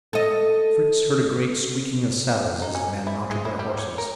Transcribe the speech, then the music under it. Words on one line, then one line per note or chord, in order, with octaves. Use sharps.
Fritz heard a great squeaking of saddles as the men mounted their horses.
A4 D#5
D#4
C#4
E4
G#3
E4
G3
C#5
A#4